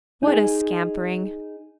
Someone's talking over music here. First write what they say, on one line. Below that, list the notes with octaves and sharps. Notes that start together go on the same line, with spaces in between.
What a scampering!
D#4 G#4